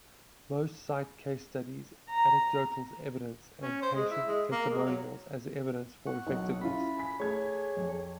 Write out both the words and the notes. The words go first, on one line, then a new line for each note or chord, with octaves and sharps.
Most cite case studies, anecdotal evidence, and patient testimonials as evidence for effectiveness.
A#5
C#4
C5
G#3
E4
G#3
A#3
G#3
F#3
F#5 C#6
B1
C#4 E4 F4 B5
G#5 B6
A3 G#4 C#5 G#6
F2